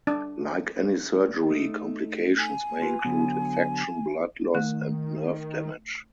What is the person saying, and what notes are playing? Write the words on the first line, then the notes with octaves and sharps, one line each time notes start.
Like any surgery, complications may include infection, blood loss, and nerve damage.
D4
A3 D#4
G#5
F4 B4
D3 F#3 B3
D#3 A3